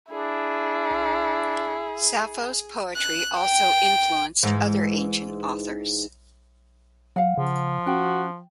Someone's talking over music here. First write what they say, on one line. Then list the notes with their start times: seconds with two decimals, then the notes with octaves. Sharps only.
Sappho's poetry also influenced other ancient authors.
0.11 D4 E4 G#4
2.95 F#6
3.40 G5
4.43 G#2 E3
7.16 F#3 F5 F#5
7.37 C#3 F3
7.87 C#4 F#4 G5